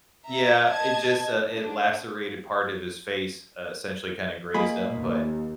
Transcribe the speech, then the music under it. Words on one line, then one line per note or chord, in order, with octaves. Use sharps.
Yeah, it just, uh it lacerated part of his face, essentially kinda grazed him, but,
E5 A#5
D#5 A5 G#6
D4
A#3 F4 G#4 D#5 B5
D#2